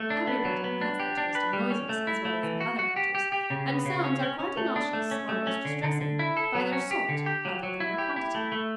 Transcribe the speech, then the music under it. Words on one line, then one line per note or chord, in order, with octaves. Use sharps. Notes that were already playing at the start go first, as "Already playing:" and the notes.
Everybody has their taste in noises as well as in other matters; and sounds are quite innoxious, or most distressing, by their sort rather than their quantity.
Already playing: A3
D4
B3
F#3
B3
D4
G4
D4
B4
G3
C#4
A3
E4
A3
E3
F#4
F#4
G4
G4
G4
C#3
B3
C#3
C#4
C#4
C#4
A3
D4
A3
C#4
A3
C#4
D3
D3
D3
E4
A4
F#3
C#4
G4
D3
G4
F#3
F#3
E4
G4
E4
A3
A3